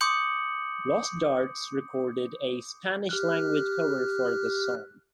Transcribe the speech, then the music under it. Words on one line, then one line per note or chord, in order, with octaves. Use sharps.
Los Darts recorded a Spanish-language cover for this song.
C6 D6 D#6 G6 C#7 F#7
G4 F6 F#6